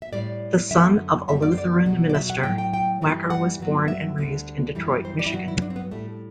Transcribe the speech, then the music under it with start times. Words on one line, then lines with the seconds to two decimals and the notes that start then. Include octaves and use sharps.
The son of a Lutheran minister, Wacker was born and raised in Detroit, Michigan.
0.02 E5
0.13 A2 G3 D5
0.71 F#2 D3 F#3 E5
1.28 F#2 D3 G3 E5
1.42 D5
1.52 C5
1.58 D5
1.86 E2 B2 F#3
2.10 D5
2.15 E5
2.30 F#5
2.43 A2 F#3 G5
2.58 G5
2.74 G5
3.01 G2 E3 G3
3.30 F#5
3.60 G2 F#3
3.88 E5
4.18 D2 D3 G3
4.75 F#2 E3 G3
5.05 C5
5.19 D5
5.26 E4
5.33 G2 F#3 F#4
5.48 E4
5.62 D4
5.70 C4
5.76 B3
5.91 A2 G3 A3